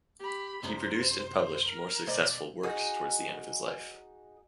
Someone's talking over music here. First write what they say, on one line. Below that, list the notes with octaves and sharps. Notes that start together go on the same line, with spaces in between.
He produced and published more successful works towards the end of his life.
G4 B5
C2 F#2 C3 C5
A#4
B1 C5 D5 D#5
D#4 F#4 G#4